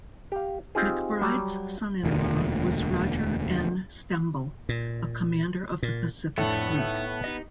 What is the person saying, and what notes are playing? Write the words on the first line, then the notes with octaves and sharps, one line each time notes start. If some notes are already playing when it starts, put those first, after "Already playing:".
McBride's son in law was Roger N. Stembel, a commander of the Pacific Fleet.
G4 F5
C4 D#4 F4 G4 G#4
F#3 G3
E1 D2 A#2
A#2
A#2
F2 A2 A3 B3 D4 A4
D#4 E5
D#4 G4 D#5